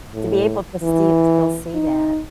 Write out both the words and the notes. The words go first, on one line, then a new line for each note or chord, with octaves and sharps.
to be able to sti still see that.
A2
E3
D#4